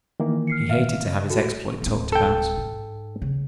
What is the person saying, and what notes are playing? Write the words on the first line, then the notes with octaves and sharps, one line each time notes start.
He hated to have his exploit talked about.
D#3 E3 A#3
F6 C7 C#7
E5 F5 F6
C#3 D#5
F#4 G4 A4
D1 C4
A4 G5
G#2
C#3